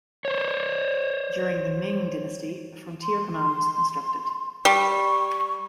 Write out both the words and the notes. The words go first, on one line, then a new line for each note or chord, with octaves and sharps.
During the Ming Dynasty, a frontier command was constructed.
C5 C#5
C6
G3 C#6